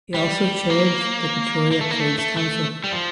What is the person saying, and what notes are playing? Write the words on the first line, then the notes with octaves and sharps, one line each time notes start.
He also chaired the Pretoria Trades Council.
G3
A#3
A#3
A3
A#3
A3
A3
A3
G3
F3